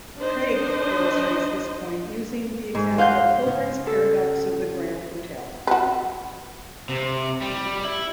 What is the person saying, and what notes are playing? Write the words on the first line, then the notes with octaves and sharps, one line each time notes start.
Craig illustrates this point using the example of Hilbert's paradox of the Grand Hotel.
D4 D#4 C5 D#5
G#2
C5 D#5 F5 F#5 G6
C#3
A4
F#4 B4
C3
G3
E4